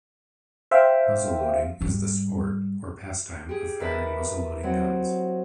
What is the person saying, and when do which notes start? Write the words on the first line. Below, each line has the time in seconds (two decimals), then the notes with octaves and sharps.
Muzzleloading is the sport, or pastime of firing muzzleloading guns.
0.71 C5 E5 F5 G5
1.81 G#2 G3
3.49 G4 G#4
3.80 E4 A#4 B4 D#5 E5 A5
4.63 F#3 C4